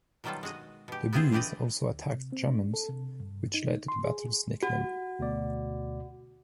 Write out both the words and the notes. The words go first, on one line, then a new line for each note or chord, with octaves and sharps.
The bees also attacked Germans, which led to the battle’s nickname.
B2 D#3 F#3 G3 F4 A4
G#3 F#4 D#5
B2 G4
B3 C4 E4 F4 G#4 C5
D3 E3 G4 D5 D#5
D2
C3
C4
D4
A4
C3
G2
D#4
C6
G#4
F#4
D2 B2 D5